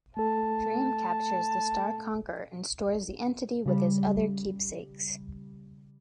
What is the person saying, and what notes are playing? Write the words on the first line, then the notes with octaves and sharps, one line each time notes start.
Dream captures the Star Conqueror and stores the entity with his other keepsakes.
A3 A4 A5
C#3 G3